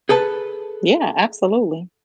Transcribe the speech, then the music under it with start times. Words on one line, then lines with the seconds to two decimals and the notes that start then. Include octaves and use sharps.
Yeah, absolutely.
0.09 G#4 A4 B4 A5